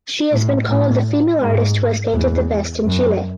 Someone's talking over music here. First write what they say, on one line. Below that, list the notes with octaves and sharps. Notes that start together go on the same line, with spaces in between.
She has been called the "female artist who has painted the best in Chile".
A2
A2
G#2
E2
F#2